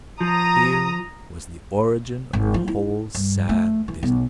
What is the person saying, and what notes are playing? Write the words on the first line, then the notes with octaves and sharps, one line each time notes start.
Here was the origin of the whole sad business.
F3 A#5 D#6
G#1
F3
E4
G2
A3
E3
B1